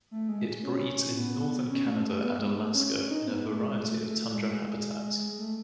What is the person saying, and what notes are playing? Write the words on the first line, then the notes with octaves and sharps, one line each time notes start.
It breeds in northern Canada and Alaska in a variety of tundra habitats.
A3
G#3
C#4
B3
C#4
A3
A3
B3
G#3
A3
C#4
C#4
D#4
B3
A3
G#3
A3
A3
G#3
A3